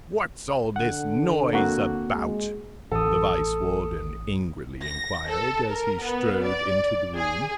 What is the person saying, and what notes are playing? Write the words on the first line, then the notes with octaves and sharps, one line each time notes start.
"What's all this noise about?" the Vice-warden angrily enquired, as he strode into the room.
D3 F#5
A#3 C4 F#4
G#3
A1 A4 D#6
A#6
A4
A#4
B3
D5
G#4